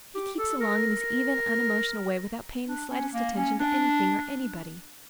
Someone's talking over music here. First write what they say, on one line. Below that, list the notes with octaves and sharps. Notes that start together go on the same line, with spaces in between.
He keeps along his even, unemotional way without paying the slightest attention to anything or anybody.
G4
A4
A#4
D4
C#4
A#3
C#4
D4